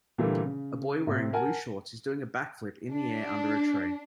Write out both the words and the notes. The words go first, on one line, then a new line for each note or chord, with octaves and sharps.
A boy wearing blue shorts is doing a back flip in the air under a tree.
A#2 D3 E3 G3 A3 A#3
C#3
A2 C3 C4
A#4 F#5 G#5 A5
D4